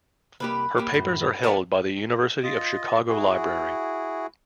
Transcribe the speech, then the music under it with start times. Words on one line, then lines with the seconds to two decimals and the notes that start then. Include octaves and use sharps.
Her papers are held by the University of Chicago Library.
0.40 C2 A#3 G4 B4
0.78 A#3 G4
0.94 F#2 A2
1.43 F3 A#4 B4 D5 F#5 A5
2.43 F4 D#5
3.08 E4 F#4 G#4